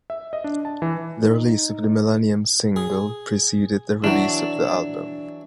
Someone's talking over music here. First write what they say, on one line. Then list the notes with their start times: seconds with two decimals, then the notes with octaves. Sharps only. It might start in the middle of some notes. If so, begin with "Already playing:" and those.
The release of the "Millennium" single preceded the release of the album.
0.10 E5
0.33 D#5
0.44 D4
0.65 A5
0.82 E3
1.22 D#4
2.76 G#4
4.04 E3 F#3 D4